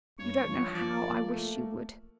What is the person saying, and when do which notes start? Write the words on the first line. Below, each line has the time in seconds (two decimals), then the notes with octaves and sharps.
'You don't know how I wish you would.
0.19 G2 C#5
0.45 F3
0.73 F3 D5
1.01 A#3
1.28 A3